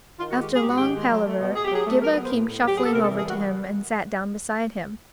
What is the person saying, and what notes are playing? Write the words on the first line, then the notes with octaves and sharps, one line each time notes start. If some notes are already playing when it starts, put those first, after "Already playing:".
After long palaver, Ghibba came shuffling over to him, and sat down beside him.
D#3 F4
F#4
G#3
G4
B3 G#4
G4
G#2 F#4
D#3 G4
G#3
F#3
A3
B2
B2 G#4
G4
F#3 G#4
A3
F#3 A#4
B4
B3
C5
A2
A2
F#3 G4
B3 G#4
A4
C3 A#4
A4
E3
G#4
G3 F#4